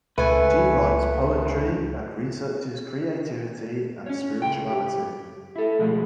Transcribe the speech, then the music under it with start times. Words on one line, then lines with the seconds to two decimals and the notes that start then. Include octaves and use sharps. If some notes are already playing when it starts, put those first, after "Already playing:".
She writes poetry and researches creativity and spirituality.
0.18 C#2 A3 B4 G#5
4.06 C#4 C#5
4.42 C#2 G5
4.70 G4
5.56 E4 A4
5.79 B2 F3 G#3 A3